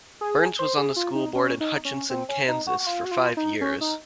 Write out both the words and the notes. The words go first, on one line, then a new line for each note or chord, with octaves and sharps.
Burns was on the school board in Hutchinson, Kansas, for five years.
G#4
C5
G#4
F4
D#4
C#4
D#4
C#4
C4
C#4
D#4
F#4
F#4
F4
F#4
F4
D#4
C#4
D#4